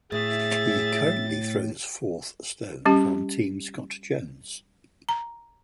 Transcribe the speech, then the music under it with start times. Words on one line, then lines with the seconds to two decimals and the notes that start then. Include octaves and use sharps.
He currently throws Fourth stones on Team Scott Jones.
0.12 A2 G#4 E5 A6
2.86 G3 C#4 G4
5.09 A#5